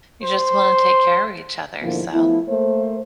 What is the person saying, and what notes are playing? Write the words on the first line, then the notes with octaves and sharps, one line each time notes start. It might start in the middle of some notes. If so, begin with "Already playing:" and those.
you just wanna take care of each other, so
C5
G#2 B2 D3 F3 A#3 E4
F3 A3 B3 E4
A3 A#3 C5